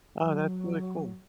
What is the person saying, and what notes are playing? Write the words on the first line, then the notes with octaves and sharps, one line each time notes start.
Oh, that's really cool.
F#3